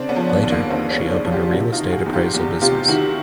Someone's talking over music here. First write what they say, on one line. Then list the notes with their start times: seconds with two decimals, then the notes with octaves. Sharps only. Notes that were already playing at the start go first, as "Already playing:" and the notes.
Later, she opened a real estate appraisal business.
Already playing: C#3 C4 D4
0.09 B3 C#4
0.16 F3
0.29 B3
0.43 D#2
0.50 A#3
0.70 D#2 A#3 C4
0.91 B3 C#4
0.98 C#3
1.11 C4 D4
1.25 F3
1.32 F4 G4
1.52 C3 E4 F#4
1.72 D#4 F4
1.80 D#3
1.93 F#4 G#4
2.06 E2
2.13 F4 G4
2.35 E2
2.62 C3 F4 G4
2.88 D#3 E4 F#4